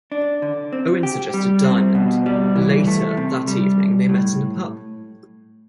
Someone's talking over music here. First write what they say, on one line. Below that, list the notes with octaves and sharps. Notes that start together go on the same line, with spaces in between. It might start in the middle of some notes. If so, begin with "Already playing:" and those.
Owen suggested Diamond, and later that evening they met in a pub.
D4
D3
C4
G4
G3
C4
B2
G3
E3
A3
C3
G3
B1
A2